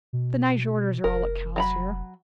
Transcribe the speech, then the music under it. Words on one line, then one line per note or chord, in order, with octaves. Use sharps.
The Nyjorders are all that counts here.
B2
F1 A#4
F#3 A#5 B5